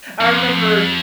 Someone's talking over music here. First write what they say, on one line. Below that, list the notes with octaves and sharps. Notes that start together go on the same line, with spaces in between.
I remember
F2